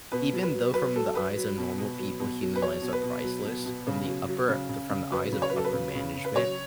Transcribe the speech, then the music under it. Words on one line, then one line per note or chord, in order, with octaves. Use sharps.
Even though from the eyes of normal people, human lives are priceless from the upper from the eyes of upper management,
B2 B4
F#3
B4
F#3
F#3 B4
F#3 A4
F#3 B4
F#3
B2
B2
F#3
B2
F#3
B4
F#3 C#5
B2
B4
B2
F#3
B2
B2
C#3
F#3
F#3
C#3
C#3
C#3
F#3 B4
C#3
C#5
B4
F#3 A4
B4
C#3
C#3
C#3
B4
F#3 C#5